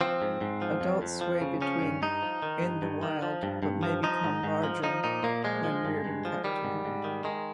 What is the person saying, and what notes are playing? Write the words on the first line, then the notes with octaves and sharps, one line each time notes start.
Adults weigh between in the wild, but may become larger when reared in captivity.
F3 C4
G#2
G#2
F3
F2
F2
F3
C#3
F3 C#4
G2
G2 D#4
F3
D#3
G2
G2
D#3
F3
G2
G2
F3
F3 D#4
G#2
G#2
F3
F3 D#4
A#2 D#4
A#2 A#3
F3 G#3
F3
G2
G2
F3
D#3 G3
G#2
G#2
D#3
D#3 G#3